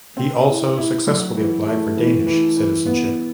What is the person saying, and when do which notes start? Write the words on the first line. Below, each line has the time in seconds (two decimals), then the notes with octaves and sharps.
He also successfully applied for Danish citizenship.
0.17 C4
0.47 E4
0.77 E4
1.07 F#3
1.37 E3
1.67 A3
1.97 E3
2.26 E3
2.57 E3
2.86 B3